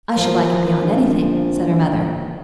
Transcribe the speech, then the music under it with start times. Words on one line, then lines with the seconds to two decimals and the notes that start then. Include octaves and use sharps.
"I should like it beyond anything!" said her mother.
0.16 F3 A#4
0.82 A#1